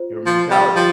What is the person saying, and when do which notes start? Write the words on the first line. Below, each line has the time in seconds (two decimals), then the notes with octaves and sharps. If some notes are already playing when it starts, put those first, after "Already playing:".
Your mentality.
Already playing: F4 C5
0.26 F3
0.51 G3
0.75 F3